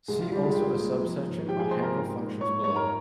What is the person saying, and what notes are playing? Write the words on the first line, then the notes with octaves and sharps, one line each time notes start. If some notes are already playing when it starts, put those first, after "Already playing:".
See also the subsection on Hankel functions below.
C2 G#3 G#4
F4
C2 G3 G4
G#3 G#4
G3 G4 G5
A#3
F3
G#2
F3 G4 G5
G#4 G#5
A#3 C5 C6
A#4 A#5
G#2
G#2
G#2 C#5 C#6
G#2 C#5 C#6
A#4 A#5